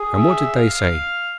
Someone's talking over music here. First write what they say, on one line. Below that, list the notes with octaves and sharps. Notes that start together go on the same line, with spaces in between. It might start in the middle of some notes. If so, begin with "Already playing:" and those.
'And what did they say?'
Already playing: G#4
E5
F5